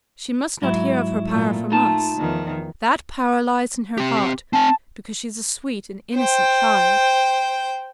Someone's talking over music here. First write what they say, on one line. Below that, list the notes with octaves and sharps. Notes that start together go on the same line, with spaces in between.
She must not hear of her power from us; that power lies in her heart, because she is a sweet and innocent child!
G#2 F#3 E4
A#2 A3
A3 D#4 F4 A5
E2 D#3 F3
C4 G4
C4 G#5 A5
C5 G5